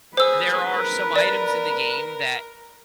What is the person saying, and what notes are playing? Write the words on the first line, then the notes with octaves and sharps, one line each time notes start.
there are some items in the game that
G#4 B4 C5 E6
A#4
D5